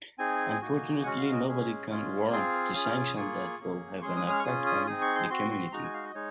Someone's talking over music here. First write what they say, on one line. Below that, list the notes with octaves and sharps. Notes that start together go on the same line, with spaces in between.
Unfortunately, nobody can warrant the sanctions that will have an effect on the community.
C4 D#4 G#4 G#5
A#3 D#4 F#4
G#3 C#4 F#4 F#5
F5
D#5
G#3 C#4 G#4
G#3 C#4 F4 G#4
C4 F4 G#4 F5
C#4 F4 G#4 D#6
F6
D#6
A#3 F4 G#4 C#6
A#3 C#4 G#4
G#3 C#4 G#4 C6
D#6
F6
C#6
C#4 F4 G#4 D#6
D#6
C4 D#4 G#4 D#6
C#6
C6
C4 F#4 C6
C6
G#3 D#4 F#4 A#5
G#5
F5
D#5
G#3 D#4 C#5